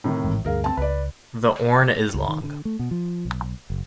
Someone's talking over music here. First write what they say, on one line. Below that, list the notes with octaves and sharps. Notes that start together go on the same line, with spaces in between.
The Orne is long.
A2 C3 D#3
A1 G#2 E3
D2 G2 G#4 A#4 F5
C4 A5
C#2 B4 D5
C#2
D#3
D3
A3
B2
F3
B1
F#1